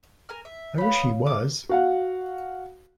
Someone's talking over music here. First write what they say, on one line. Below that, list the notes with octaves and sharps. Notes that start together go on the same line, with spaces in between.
I wish he was!
A#4 G#5 F6
E5
B3 C#5 F5 B5
D6
F#4 F5 F#5